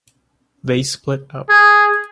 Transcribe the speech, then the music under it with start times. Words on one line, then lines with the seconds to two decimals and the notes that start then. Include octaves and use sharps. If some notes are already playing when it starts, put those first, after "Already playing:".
They split up.
1.50 G#4